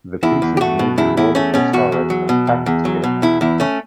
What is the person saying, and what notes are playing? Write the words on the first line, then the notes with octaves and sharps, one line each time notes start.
The pieces may be rolled for storage or packed together.
E2 E4
E2
G4
A3 F#4
B2
E2 E4
E2 E4
A3 C#4
B2 C#4
E2 F#4
E2
F#3
B2
E2
E2
F#3
B2
E2 E4
E2 E4
A3 C#4